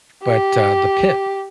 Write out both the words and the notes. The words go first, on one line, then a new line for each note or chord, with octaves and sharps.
but, uh, The Pitt
G4